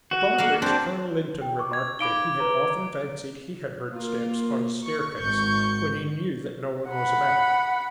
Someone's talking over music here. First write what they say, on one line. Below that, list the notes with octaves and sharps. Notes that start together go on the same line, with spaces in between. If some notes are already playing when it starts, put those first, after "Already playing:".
Upon which Colonel Lynton remarked that he had often fancied he had heard steps on his staircase, when he knew that no one was about.
F#4
A#3 A#4 F5
C4 D4 A5
G5
C#6 D6
G#6
D#4 F5 B5 D6 D7 G7
B4 A#5
A#3 F4
C#6
G#1 C#6 G6
F#5 B5